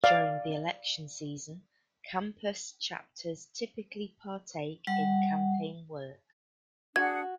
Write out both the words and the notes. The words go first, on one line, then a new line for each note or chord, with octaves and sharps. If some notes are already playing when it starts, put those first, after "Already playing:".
During the election season, campus chapters typically partake in campaign work.
D5 F5
G3 F#5
D4 F#4 G#4 F#5 G#6